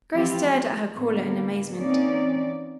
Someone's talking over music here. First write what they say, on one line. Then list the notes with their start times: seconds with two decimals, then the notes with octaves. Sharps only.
Grace stared at her caller in amazement.
0.13 E3 F3 C4 E4 F4 G4
0.45 A3
0.92 A2 D3 A#3 B3
1.72 E3 A#3 C4 C#4 D#4 D5